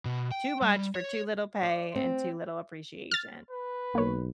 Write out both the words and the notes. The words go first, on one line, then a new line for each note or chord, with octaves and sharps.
too much for too little pay and too little appreciation
B2
G5
G3
C#5
D5
C4
F6 A6
B4
B1 A#3 C#5